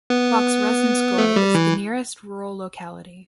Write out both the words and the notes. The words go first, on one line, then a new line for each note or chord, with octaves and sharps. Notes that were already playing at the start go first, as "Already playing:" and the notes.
Voskresenskoye is the nearest rural locality.
B3
A3
G3
E3